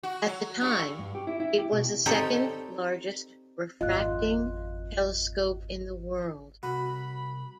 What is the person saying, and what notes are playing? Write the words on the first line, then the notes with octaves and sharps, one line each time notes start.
At the time, it was the second-largest refracting telescope in the world.
F#4
F#3
G2
G2
G4
E4
E4
G4
B2
C4 D#4 G4 A4 C#5 D5
G#1 F2 F4 D#5 F#6
C2 F#4 B5